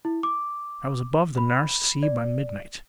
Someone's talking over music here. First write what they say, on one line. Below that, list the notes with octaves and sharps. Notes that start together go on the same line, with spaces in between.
I was above the Nares Sea, by midnight.
E4
D6
B5
D5